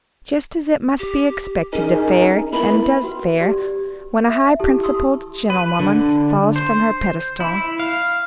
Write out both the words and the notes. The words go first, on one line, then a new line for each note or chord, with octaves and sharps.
Just as it must be expected to fare, and does fare, when a high-principled gentlewoman falls from her pedestal.
G4
C#4 D#4 G#4 A#4
B3 E4 A#4 B5
F#4 B4
F#4 G4 D5
E5
E4 G4 A4 A5
C6 C#6 D#6 E6
B4
D3
C5
E4
F5